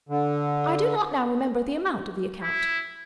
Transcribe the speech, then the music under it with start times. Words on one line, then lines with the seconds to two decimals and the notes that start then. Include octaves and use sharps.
"I do not now remember the amount of the account."
0.09 D3
2.42 E4